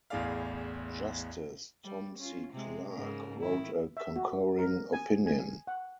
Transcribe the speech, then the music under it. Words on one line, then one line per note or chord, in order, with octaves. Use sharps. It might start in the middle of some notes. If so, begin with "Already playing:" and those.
Justice Tom C. Clark wrote a concurring opinion.
A1 E2 A2 G#4 D5 F5
G3
C#4 F4
C3 G#3
G#2 C#3 A#4
D#3 E4
E5
F#4
A#4
G#5
G#5
F#5